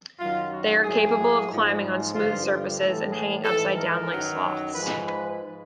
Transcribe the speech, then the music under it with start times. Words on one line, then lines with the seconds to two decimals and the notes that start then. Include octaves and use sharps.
They are capable of climbing on smooth surfaces and hanging upside down like sloths.
0.19 F#2 D#3 F#3 F4
0.52 F#4
0.84 A2 F#3 G#4
1.50 G#2 F3
2.15 G2 D3 F3 F4
2.47 G4
2.79 A2 E3 A4
3.12 G#4
3.44 G#2 E3 A4
3.77 A#4
4.10 F#2 D#3 F#3
4.74 G#2 F3 B4
5.07 B4